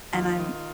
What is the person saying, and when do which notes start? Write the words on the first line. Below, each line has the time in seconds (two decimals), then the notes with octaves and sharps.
and I'm
0.12 D#2 F4
0.39 D#3